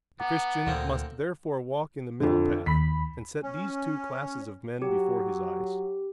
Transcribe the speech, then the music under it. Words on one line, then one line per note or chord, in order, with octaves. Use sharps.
The Christian must therefore walk in the middle path, and set these two classes of men before his eyes.
B3 F#5 A#5 D6
D2 A#2 D3 A#3 C4
F2 D3
D#2 B5 B6
C#4
F#3 G4